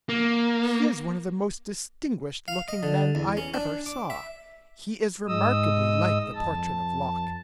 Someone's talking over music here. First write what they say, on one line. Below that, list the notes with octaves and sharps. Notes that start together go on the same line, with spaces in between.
He is one of the most distinguished-looking men I ever saw. He is remarkably like the portrait of Locke.
A#3
F5
D#5
D3
E2
C#4
D4
D6
E5
G#2 G#3 D#5 D#6 E6
F2 A5